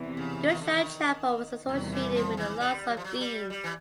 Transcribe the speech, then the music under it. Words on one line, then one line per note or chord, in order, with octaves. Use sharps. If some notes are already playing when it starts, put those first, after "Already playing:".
Goodshaw Chapel was associated with the Larks of Dean.
Already playing: E2 C3 E3
C#3
D#3
D3
D#3
E2 C3 D#3 F#3 G3
E3
F3
E3
G3
F#3
F3
F#3
G3
G3
E3